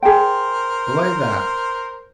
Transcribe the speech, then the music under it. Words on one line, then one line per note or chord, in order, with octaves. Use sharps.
"Belay that!"
G#4 A#4 C5 G5